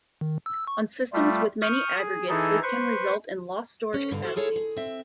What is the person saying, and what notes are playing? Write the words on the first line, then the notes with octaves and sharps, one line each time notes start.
On systems with many aggregates this can result in lost storage capacity.
D#3
E6
C#6
G3 A3 F4
C#6 D#6 F6 G6
G#4
E3 D#4 E4 G#4 A4
B4 C5 C#6
D2 C#4
G2 B2 D3 F5
F#4 A4 C5
E4 F4 G#4 A4 C#5
G#4
C4 E5